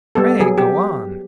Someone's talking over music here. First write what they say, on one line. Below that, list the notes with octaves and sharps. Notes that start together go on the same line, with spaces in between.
Pray go on!
G3 B3 A4
F#3 G#4
G4